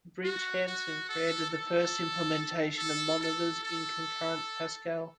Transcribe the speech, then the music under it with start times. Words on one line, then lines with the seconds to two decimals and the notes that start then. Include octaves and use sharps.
Brinch Hansen created the first implementation of monitors, in Concurrent Pascal.
0.24 F#4
0.67 F#4
1.09 A4
1.51 A4
2.78 A4
3.21 A4
3.63 A4